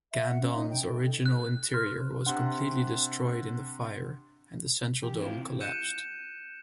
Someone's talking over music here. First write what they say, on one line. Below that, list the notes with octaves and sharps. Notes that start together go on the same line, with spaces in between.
Gandon's original interior was completely destroyed in the fire and the central dome collapsed.
E5
F#5
C#4
D#4
G5
A4
F#6
C6 F6
B4
C3 D4 F#5 C6
E2 G4
C4 E4 F4
F#6 G6 C#7 D#7 E7